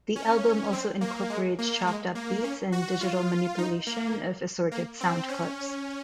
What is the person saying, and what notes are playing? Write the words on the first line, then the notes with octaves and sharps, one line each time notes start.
The album also incorporates chopped up beats and digital manipulation of assorted sound clips.
C#4
C4
A#3
G#3
A#3
G#3
A#3
C#4
F#4
F4
D#4
A#3
A#3
C4
C#4